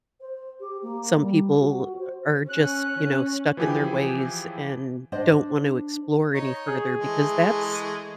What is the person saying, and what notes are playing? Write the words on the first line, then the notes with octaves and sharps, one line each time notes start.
some people are just, you know, stuck in their ways and don't want to explore any further because that's
C5
G4
A#3
G3
F#4
C5
C#4 F#6
E3 F3 E4 G4 G#4 G#5
D4 C5 D#5
D#4 C#5
G#4
E3 G#3 A3